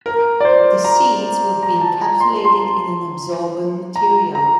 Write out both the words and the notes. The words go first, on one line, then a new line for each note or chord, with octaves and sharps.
The seeds would be encapsulated in an absorbent material.
A#4
D5
C5
A#5
A#5
A5
A#5
C6
C6
A#5
A#5